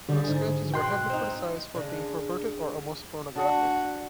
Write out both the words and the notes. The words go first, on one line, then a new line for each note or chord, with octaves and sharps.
Other sketches were heavily criticised for being perverted or almost pornographic.
D3 G3 G4
G#2 G#4
B2 G5 C6 F#6
C4 D#4
C#3 G#3 D4
D4 F#4